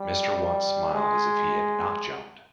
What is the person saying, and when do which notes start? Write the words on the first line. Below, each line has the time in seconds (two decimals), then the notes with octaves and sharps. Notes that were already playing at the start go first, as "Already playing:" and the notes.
Mr. Watts smiled as if he had not jumped.
Already playing: G3
0.94 G#3